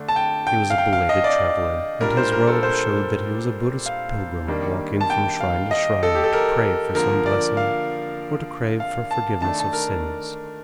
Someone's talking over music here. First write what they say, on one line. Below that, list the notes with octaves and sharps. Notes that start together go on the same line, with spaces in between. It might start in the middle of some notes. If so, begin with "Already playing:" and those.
He was a belated traveler, and his robe showed that he was a Buddhist pilgrim walking from shrine to shrine to pray for some blessing or to crave for forgiveness of sins.
Already playing: D3 A3 D4
A5
G5
G5
F5
G5
F5
D#5
D5
A#2 G3 D4 A#4
C5
A#4
A4
C5
F5
D#3 G3 A#3 D4
A5
G5
F5
D#5
A4
G4
A4
A#4
D3 F3 A#3 A#4
D5
F5
F5
A5
D#3 A3 D4 A5
A5
A#4